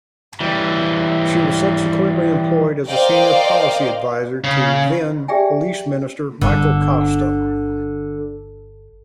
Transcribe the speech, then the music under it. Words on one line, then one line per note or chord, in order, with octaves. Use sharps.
She was subsequently employed as a senior policy adviser to then-Police Minister Michael Costa.
E3 G3
A#4 C5 D5 D#5 F5 G5
C#3
G4 G#4 D5 E5 G5 G#5
G1 D3